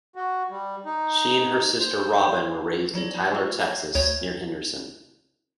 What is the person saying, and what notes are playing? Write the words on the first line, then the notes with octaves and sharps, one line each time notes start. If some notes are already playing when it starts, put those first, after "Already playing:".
She and her sister Robyn were raised in Tyler, Texas, near Henderson.
F#4
G3
D#4
C5
F3 F#3 C5 D5
A3 F4
C#5 A#5 G#6 A#6 C7
D2 C#5